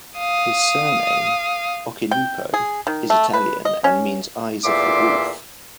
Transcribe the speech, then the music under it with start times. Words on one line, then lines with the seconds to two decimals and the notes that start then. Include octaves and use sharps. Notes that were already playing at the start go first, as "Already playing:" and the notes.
His surname, Occhilupo, is Italian and means eyes of the wolf.
0.19 F5 D#6
2.11 G5
2.54 G#4
2.87 D#3
3.10 A3
3.34 B4
3.65 D#5
3.84 C#4
4.64 E2 A#2 D3 E5 C6 D6